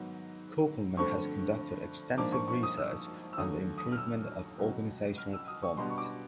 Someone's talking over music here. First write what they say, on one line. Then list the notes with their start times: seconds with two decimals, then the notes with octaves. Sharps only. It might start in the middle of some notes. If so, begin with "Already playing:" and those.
Kopelman has conducted extensive research on the improvement of organizational performance.
Already playing: G#2 D#3 F#3 B3
0.97 G2 D3 F3 A3 C4 C#6
2.18 G#2 F3 A#3 D4 D6
2.32 C#6
2.48 C#6
2.63 D#6
2.77 E6
3.33 E6
3.38 D#2 D3 F#3 A3 D#6
3.77 D#6
3.92 F6
3.98 E6
4.58 C#2 B2 F#3
5.18 F6
5.33 E6
5.47 D#6
5.63 C#6
5.77 B2 G3 B3 D4 C6
5.89 C#6
5.98 D6